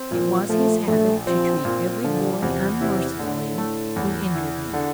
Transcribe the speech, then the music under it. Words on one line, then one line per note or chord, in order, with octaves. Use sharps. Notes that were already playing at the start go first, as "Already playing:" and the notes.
It was his habit to treat every boy unmercifully who injured me.
Already playing: C4
A#2 F3
F3 A3
A#1 A3
F3 C4
A#2
D3 F3
E2 C3
C3 E4
A2 D3
A3
E2
E4
D3